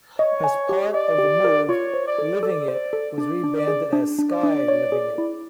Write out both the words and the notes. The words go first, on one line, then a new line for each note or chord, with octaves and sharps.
As part of the move Livingit was rebranded as Sky Livingit.
C#5 D#5
G#5
G4
D5 D#5
G4
A#4
F4 C#5
C5
D5
A4
A4 D5
C5
A4
D4 D5
D4
D5
G#4
D4
D4
D5
D4
C#5
G#4
E4